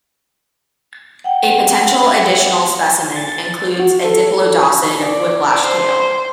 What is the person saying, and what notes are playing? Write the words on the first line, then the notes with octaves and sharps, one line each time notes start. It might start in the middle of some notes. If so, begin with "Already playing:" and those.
A potential additional specimen includes a diplodocid whiplash tail.
F#5 G5
A6
F#4
A4
D5
C5